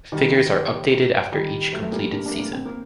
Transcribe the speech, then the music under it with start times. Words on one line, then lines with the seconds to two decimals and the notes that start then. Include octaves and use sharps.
Figures are updated after each completed season.
0.12 D#3 G3
1.32 D#3 G3
1.72 F#3 A3
1.83 A3
1.92 G3 A#3
2.13 A#3 D4
2.26 A#3 D4
2.33 A3
2.39 G3 A#3
2.53 C4
2.65 A#3